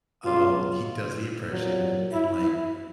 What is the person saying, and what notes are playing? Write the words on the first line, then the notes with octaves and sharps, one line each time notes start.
um, he does the impression and, like
C#2 B2 F#3 F4
C2 A#2 F#3
E4
E4